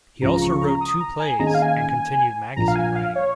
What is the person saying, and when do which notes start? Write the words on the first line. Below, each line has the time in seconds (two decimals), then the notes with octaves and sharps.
He also wrote two plays, and continued magazine writing.
0.22 C#2 C#3 F3 A#5
0.34 A#5
0.42 C#6
0.61 A#5
0.81 D#6
1.00 A#5
1.20 G#5
1.39 D#3 A#3 C#4 G#4 D#5 A#5
1.47 G#5
1.54 F5
1.62 G#5
2.56 A#1 A#2 F3 A#5
2.68 F5
2.76 G#5
2.95 F5
3.16 C#5